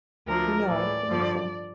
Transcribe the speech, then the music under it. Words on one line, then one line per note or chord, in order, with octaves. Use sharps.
No, I don't believe so.
D2 D3 F3 A#4
A2 E3 D5
G2 D3 F3